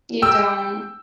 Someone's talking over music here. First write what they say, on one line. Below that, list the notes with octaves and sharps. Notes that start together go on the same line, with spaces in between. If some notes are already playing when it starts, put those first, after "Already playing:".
You don't.
G5 E6